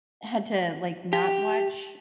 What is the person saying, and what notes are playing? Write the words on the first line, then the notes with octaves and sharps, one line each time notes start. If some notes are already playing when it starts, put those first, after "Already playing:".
Had to, like, not watch
G4